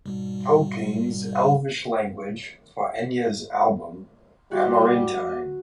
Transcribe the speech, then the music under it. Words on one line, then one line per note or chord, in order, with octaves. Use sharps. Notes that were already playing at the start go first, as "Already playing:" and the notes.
Tolkien's Elvish language, for Enya's album "Amarantine".
G#2 B2 G3
G3 F#4 G4